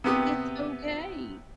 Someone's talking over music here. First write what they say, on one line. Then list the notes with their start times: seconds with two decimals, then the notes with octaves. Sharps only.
it's okay,
0.04 C3 B3 G4 D#6